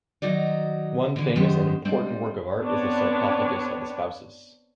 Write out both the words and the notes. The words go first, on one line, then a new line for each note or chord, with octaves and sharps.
One famous and important work of art is the Sarcophagus of the Spouses.
D#3 F#3 D#4 F#4 D5
D3 E3
F#2 D#3 B3 G4 C5
G3 G#3 C4 D4 C5
B3 C4 D4 B4 C#5